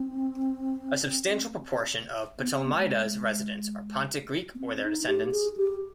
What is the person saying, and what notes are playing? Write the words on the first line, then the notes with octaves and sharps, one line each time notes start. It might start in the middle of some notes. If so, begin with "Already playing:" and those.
A substantial proportion of Ptolemaida's residents are Pontic Greek or their descendants.
Already playing: C4
B3
C4
B3
G#3
B3
C4
D#4
G4
G#4
G4